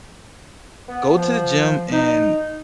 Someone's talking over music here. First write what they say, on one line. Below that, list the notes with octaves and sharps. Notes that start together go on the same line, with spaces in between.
"Go to the gym and
B3
F3
D#4